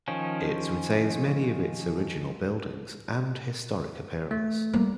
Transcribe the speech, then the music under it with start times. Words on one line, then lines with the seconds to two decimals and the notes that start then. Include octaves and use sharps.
It retains many of its original buildings and historic appearance.
0.08 D#3 F3 C#4
4.31 A3
4.73 G3 A#3